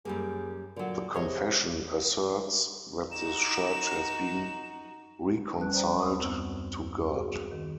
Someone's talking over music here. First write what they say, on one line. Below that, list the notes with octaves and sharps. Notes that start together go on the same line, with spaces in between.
The confession asserts that the Church has been reconciled to God.
F#2 G3 A#3 G#4
A#2 D3 F#3
C3 G#4 C#5 D#5
D#4 F#4 E7
G3 C#4 B4 A5 F#6
C5 D5 G5 A#5
D#2 C4 C#6 D#6
F#2 B3 C4 E6
F#4 G#4
D#3